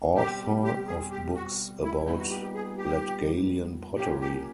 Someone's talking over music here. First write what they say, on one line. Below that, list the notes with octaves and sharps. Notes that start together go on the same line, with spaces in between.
Author of books about Latgalian pottery.
B2 G3 C4 G4
G4
G#4
G4
F#4
E4
A#2 G3 B3 D#4 E4
F#4
G4
G4
G#4
G4
A#2 F#3 A#3 C#4 G4
G4